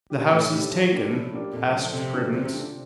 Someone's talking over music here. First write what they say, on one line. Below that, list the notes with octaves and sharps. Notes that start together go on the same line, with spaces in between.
"The house is taken?" asked Prudence.
D4 G4
A2 A3
D4 G4
F3
A#3 D4 G4 D5
A2 F3
A#3 D4 G4 D5
F2 A#2
D3 F3 A3 D4
F2 C3
D3 F3 A3 D4
E2 C3
D3 A3 D4 F4